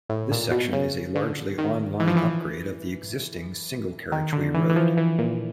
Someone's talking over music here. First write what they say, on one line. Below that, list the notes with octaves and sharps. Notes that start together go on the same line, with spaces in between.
This section is a largely on-line upgrade of the existing single-carriageway road.
A2
A#2
B2
C#3
D3
D#3
E3
F3
E3
D#3
D3
E3
E3
F3
E3
A#2